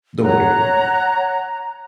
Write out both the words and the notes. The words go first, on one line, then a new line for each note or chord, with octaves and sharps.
the weight
C#5 F#5 A#5 F#6